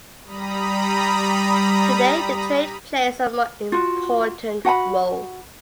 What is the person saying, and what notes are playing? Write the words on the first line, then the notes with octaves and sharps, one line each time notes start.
Today the trade plays a more important role.
G3 A#5 B5 D#6
F4 F#4
F#4 F#5 G#5 B5